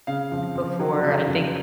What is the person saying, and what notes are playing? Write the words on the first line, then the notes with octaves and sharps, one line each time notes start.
before, I think
C#3 F5
F2
F2
F#3
C#3
F2